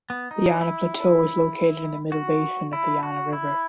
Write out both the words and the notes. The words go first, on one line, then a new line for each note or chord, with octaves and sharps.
The Yana Plateau is located in the middle basin of the Yana River.
B3
D#4
E4
F#4
E4
F#4
E4